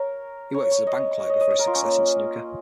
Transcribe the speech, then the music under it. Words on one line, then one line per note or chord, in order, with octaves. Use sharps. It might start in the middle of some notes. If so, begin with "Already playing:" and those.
He worked as a bank clerk before his success in snooker.
Already playing: A#4 C#5
C#5
C#5
D#5
C#5
D#5
D#5
D#5
A#4
F4
C#4
A#3